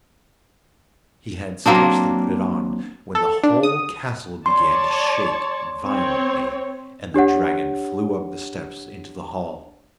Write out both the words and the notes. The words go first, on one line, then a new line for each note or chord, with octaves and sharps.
He had scarcely put it on, when the whole castle began to shake violently, and the dragon flew up the steps into the hall.
F#3 A#3 C4 D4
A4
D4
D#6
C#5 D5 A5 C6
C4 C#5
D4 G4 C#5 F#5